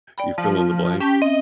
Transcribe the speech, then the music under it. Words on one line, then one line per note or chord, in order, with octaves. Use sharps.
you fill in the blank,
D5 G5 B5
F3
C#4 G4 A5 C#6
C4 D#5 E5